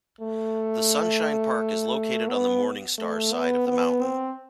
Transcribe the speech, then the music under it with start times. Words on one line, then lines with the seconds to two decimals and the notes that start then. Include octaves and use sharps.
The Sunshine Park is located on the Morning Star side of the mountain.
0.21 A3
2.29 B3
2.98 A3
3.33 B3
3.68 B3
4.02 C4